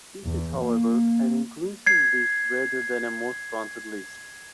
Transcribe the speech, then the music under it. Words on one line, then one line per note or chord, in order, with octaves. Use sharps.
This is, however, an inclusive list rather than a "most wanted" list.
E2
A#3
G#6 C7